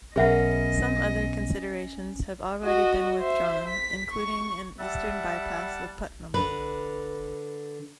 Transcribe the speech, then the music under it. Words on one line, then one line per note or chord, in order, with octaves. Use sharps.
Some other considerations have already been withdrawn, including an eastern bypass of Putnam.
B1 C#4 G#4 A#4 B4 D#5 E5 F#5
F#4 D#5
C5 E5
B6
C#6
G3 E5 F#5 A5
D3 B4